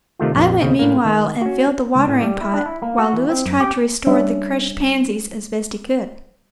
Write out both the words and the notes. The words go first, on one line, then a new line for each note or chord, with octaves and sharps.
I went meanwhile and filled the watering-pot while Louis tried to restore the crushed pansies as best he could.
C3 D#3 A3 F4
A#1 F2
D#2 C#3 C4
A2 A#3
D#3
C#4 F#4
C#2
A2
G3
E4
D4
E4
A#3
F#4
E3
C4
F#2
G4
G3 C#4 D4 E5